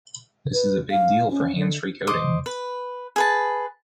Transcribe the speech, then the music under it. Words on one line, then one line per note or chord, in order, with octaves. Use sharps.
This is a big deal for handsfree coding.
B4
F5
C#4
D3
C5 D#5 D6
B4
G#4 B4 A5